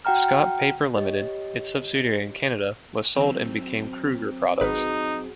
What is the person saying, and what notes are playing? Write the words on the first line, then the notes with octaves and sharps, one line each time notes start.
Scott Paper Limited, its subsidiary in Canada, was sold and became Kruger Products.
F#4 F#5 G5 A#5 F6
G4 C#5 D#5
D#3 F#3 C4
G#1 D#4 F#4 G#4 B4